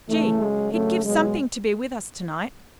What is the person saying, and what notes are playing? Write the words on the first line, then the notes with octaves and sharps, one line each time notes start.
Gee, he'd give something to be with us to-night!
C#3 E3 A3
C#3 F#3 G#3
C#3 F#3 A3
B2 F#3 G#3